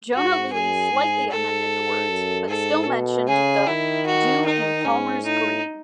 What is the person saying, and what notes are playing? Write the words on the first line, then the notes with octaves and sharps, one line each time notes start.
Jona Lewie slightly amended the words, but still mentioned the "do in Palmers Green".
G#2 F#4
F#2 G#4
G#2
G#2 A4
F#2
G#2 A4
B2
C#3 G#4
D#3 E4
F#4
D#4
G#2 C#4
A2 D#4